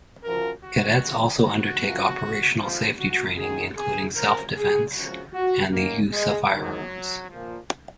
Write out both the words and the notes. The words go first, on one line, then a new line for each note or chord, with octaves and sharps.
Cadets also undertake operational safety training, including self-defence and the use of firearms.
F#2 F3 A#4
F#4
F2 C#3 F3
F#4
F#2 F3
F2 F3
F#4
F#2 D#3 G#4
G#4
F#2 F3 A#4
G#4
F#2 C#3 F3 F#4
F#4
F#2 D#3 A#3
G#3
G#2 D#3 F#3
A#2 F3